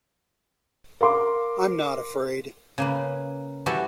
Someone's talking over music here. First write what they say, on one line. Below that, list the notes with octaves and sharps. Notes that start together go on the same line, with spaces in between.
I'm not afraid.
A#4 F5 C6 D6
C#3 A#3 B4
E3 G3 F#4 G4 A4 E5